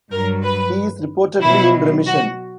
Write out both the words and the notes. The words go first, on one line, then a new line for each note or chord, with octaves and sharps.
He is reportedly in remission.
G2 F#3 A#4
B4
B2 F#3 E4
F#4